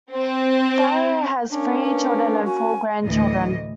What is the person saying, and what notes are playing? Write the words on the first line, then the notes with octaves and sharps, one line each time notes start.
Farrow has three children and four grandchildren.
C4
A#3 C#4 D4
B4
F#4 G#5
D2 A2 E3 D#5